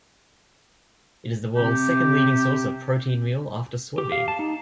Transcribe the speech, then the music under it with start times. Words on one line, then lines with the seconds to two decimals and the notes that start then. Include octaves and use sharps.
It is the world's second-leading source of protein meal after soybean.
1.56 C3 G4
3.98 G4
4.12 F5
4.28 A5
4.39 D#4